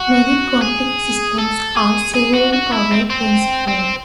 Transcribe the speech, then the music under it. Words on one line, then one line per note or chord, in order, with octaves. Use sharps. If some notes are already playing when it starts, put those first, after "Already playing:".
Many Contiki systems are severely power-constrained.
Already playing: F#4
G#4
A4
G#4
G#4
F#4
F#4
E4
C4
C4
C4